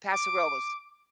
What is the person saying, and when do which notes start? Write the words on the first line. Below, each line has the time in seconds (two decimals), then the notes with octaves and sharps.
Paso Robles.
0.11 D6